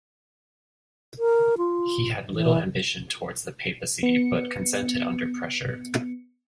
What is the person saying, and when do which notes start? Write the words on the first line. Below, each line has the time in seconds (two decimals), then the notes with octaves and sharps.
He had little ambition towards the papacy, but consented under pressure.
1.19 A#4
1.58 F4
2.32 E3
4.03 B3 C#7